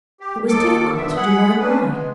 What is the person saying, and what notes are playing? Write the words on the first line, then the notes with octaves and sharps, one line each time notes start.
It was difficult to divine why.
G4
D#2 D#3 A4 D6
G2 A#2 B3 E5
G#4 F#5 B5
C#4 D4 B4
G#3 B3